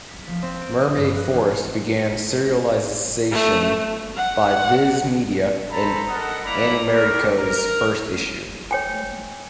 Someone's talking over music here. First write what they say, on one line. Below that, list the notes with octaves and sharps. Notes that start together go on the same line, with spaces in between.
Mermaid Forest began serialisation by Viz Media in Animerica's first issue.
B6
F3
C4
D7
D#6
G2
F#6
E1
A3
F#5
A4 C5 A#5 B5
A4 A#4 D#5 F#5
A#3 E4 D5 A#5 B5
G3 A3 G4 A#4
A#4
C#5 G5 G#5